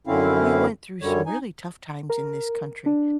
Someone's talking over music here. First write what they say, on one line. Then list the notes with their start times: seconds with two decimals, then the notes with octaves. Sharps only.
we went through some really tough times in this country,
0.07 F#2 D3 C4 C#4 E4 F5
1.02 F#2 D3 G3 C#5
1.26 D#4 G#5
2.10 A#4
2.86 D4